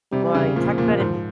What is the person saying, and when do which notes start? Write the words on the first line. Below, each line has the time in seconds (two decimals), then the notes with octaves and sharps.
Boy, talk about am
0.12 C3 G3
0.35 C#3
0.56 A#2 F3
0.78 A#2
0.90 A#2
1.00 G#2